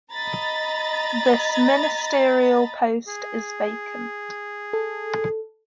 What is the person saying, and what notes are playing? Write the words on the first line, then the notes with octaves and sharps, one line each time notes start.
This ministerial post is vacant.
D#5 A#5 B5 A6
G#4
A4